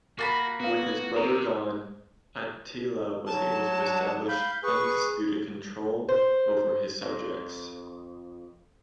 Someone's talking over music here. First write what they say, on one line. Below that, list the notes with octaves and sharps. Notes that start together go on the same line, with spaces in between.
With his brother gone, Attila was able to establish undisputed control over his subjects.
A#3 F#4 A5 B5
B3 F#4 F5
B3
C3 A#4
F#3 A5
D4 F#5
F5 B5 G6
G#4 B4 C#6
C5
F2